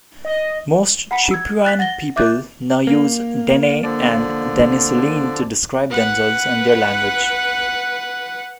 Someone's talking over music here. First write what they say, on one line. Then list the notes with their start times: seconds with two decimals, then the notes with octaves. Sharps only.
Most Chipewyan people now use "Dene" and "Denesuline" to describe themselves and their language.
0.25 D#5
1.11 F#5 A#5 B5 B6 C#7
1.31 E6 G#6
1.65 F#6 A6 B6
1.79 F#5 A6 A#6 G7
2.16 E5 D6 F#6 G6 A6
2.87 A#3
3.83 D3 F3 D5
5.90 B4 F#5